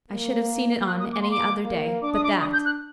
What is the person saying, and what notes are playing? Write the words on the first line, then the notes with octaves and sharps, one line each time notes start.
I should have seen it on any other day but that.
A#3
A#3 F#6
D#6
D6
C6
D6
A#3
D4 D6
D#6
D6
D4 D#6
G6
F#6